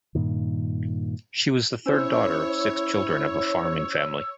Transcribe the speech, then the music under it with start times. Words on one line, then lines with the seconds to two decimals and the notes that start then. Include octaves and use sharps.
She was the third daughter of six children of a farming family.
0.15 G2 A#2 D#3
1.86 C#4 E4 C5 C#5 E6